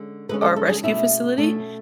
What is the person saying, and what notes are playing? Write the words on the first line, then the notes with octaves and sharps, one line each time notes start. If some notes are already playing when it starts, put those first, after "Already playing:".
our rescue facility,
Already playing: D3 G#3 C#4
D3 G#3 C#4 B4
A4
A4
G#4
B2 A3 C#4 E4
B2 A3 C#4 D4